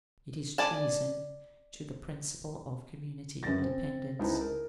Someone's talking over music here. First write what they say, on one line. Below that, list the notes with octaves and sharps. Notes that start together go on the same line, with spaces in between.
It is treason to the principle of community independence.
D5 G#5 A5
F#2 C#3 B4 A6 A#6
C4
C#2 D#4 E4 C5 A5
A#4